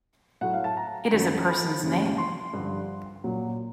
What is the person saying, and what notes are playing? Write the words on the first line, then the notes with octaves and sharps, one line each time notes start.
It is a person's name.
A2 F#3 A3 F#5
F5
A5
A#5
F#2 D#3 F#3
B5
F#2 C#3 E3 G3 A#3
C6
G2 D3 F3
A#2 F#3 A#3